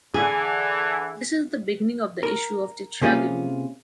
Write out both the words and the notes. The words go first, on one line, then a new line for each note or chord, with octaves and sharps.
This is the beginning of the issue of Tetragamy.
D3 E3 G#4
A#4
C3 A#3 C#4 F4 G#4 B4